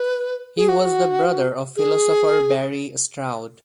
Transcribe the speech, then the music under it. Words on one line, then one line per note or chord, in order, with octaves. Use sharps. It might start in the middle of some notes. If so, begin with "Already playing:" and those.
He was the brother of philosopher Barry Stroud.
Already playing: B4
G#4
F#4
G#4